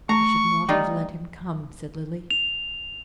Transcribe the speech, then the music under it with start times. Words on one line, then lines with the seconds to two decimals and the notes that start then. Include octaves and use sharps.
"They should not have let him come," said Lily.
0.09 A3 A#5 C#6
0.69 G3 D#4 F4
2.31 F7